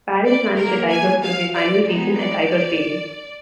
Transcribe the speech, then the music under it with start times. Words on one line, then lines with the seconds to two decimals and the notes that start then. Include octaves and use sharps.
Parrish managed the Tigers through their final season at Tiger Stadium.
0.26 D5
0.58 D#3 F#3 A#3 A#4
0.90 G#5
1.23 F5
1.55 D5
1.87 F3 G#3 B3 D#4
2.19 D5